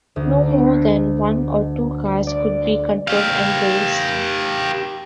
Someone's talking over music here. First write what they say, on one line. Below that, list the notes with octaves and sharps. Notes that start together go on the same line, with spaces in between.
No more than one or two cars could be controlled and raced.
D2
D5
G4 F5